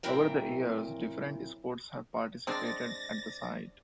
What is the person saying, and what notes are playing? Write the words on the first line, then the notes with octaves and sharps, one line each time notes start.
Over the years different sports have participated at the site.
A#2 F#3 C4 E4 A#4 G5
G#3 C4 D4 C5 A6 A#6